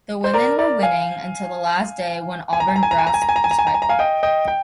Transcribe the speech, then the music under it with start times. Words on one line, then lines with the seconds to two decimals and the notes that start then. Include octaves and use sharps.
The women were winning until the last day when Auburn grasped the title.
0.24 C5
0.34 A#4 D5
0.58 A#4 D5
0.83 F5 G#5
2.53 G#5
2.60 A#5
2.68 G#5
2.76 A#5
2.83 G#5
2.91 A#5
2.98 G#5
3.07 A#5
3.14 G#5
3.22 A#5
3.29 G#5
3.36 A#5
3.44 G#5
3.51 A#5
3.59 G#5
3.67 A#5
3.74 G#5
3.82 A#5
3.89 F5 G#5
3.99 D#5 G5
4.23 D#5 G5
4.48 G5